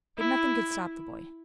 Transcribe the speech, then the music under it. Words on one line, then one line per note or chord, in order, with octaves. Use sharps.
But nothing could stop the boy.
E4